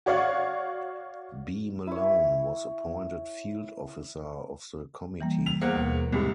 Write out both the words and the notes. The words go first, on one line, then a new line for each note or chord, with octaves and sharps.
B. Malone, was appointed Field Officer of the committee.
F#4 C#5 D5 F5 F#5
E4 C#5
E3 G3 A#3
F7
E2 A#3 G#4 C5 F#5
D#2 B2
C2 G#2 G3